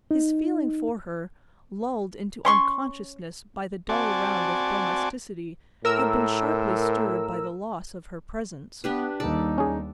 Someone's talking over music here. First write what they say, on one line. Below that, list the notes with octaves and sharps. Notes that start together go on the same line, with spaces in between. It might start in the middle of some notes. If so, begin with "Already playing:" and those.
His feeling for her, lulled into unconsciousness by the dull round of domesticity, had been sharply stirred by the loss of her presence.
D#4
C#4 C6 C#6
C4 F#4 D5 G#5 A5
A2 A#4 E6
B3 D4 G4 B4
D#2 G3 D#4 A4 D5
C#4 G#4